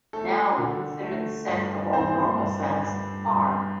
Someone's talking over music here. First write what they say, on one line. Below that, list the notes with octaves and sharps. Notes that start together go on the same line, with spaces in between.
Now we consider the set of all normal sets, "R".
A3 A4
D3
A3
G2
G2 C4 C5
G2
G2
G2